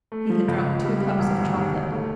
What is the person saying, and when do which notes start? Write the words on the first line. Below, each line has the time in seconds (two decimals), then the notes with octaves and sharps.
He had drunk two cups of chocolate.
0.12 A3
0.30 F3
0.48 C#2
0.66 C#2
0.84 G3
1.01 G3
1.19 E1
1.38 D2
1.55 D#2
1.73 D#2
1.91 A3